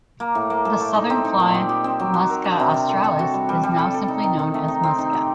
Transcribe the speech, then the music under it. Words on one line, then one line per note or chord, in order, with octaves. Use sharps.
The Southern Fly, Musca Australis, is now simply known as Musca.
A#3
A2
A#3
A4
A3
D#4
C4
D#4
A#2
G4
G4
C4
F#3
F#3
A#4
D4
C3
C3
A4
A4
F#4
G3
G3
G3
A4
A4
D#4
D#3
D#3
A3
D#4
C4
D#4
G4